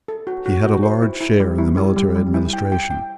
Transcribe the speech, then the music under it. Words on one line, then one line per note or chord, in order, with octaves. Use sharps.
He had a large share in the military administration.
A4
F#4
F#4
F#4
C5
E4
E4
G3
E4
G3
G3
G3
E4
G5
G5
G5